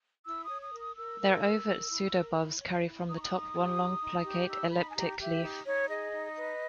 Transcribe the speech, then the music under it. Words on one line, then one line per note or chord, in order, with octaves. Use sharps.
Their ovate pseudobulbs carry from the top one long, plicate, elliptic leaf.
E4 E6
D#6
C#5
D#6
A#4
D#6
A#4 E6
A#4
A#4
A#4
E4
A#4
E4
C#5
E4
D#4 D#6
C#6
D#6
D#4
G4
D#4
D#4
G4
D#4 E6
D#4 B5
G#5
G4 A#5
G4 E5
D#4
D#4 C#5
G#4 D#5
D#4
B4